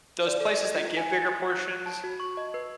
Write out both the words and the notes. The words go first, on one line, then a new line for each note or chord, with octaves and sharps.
those places that give bigger portions,
D5
A4
D#5
F4
G#5
A6
F#6
A5
F#4
C#6
D#5
B4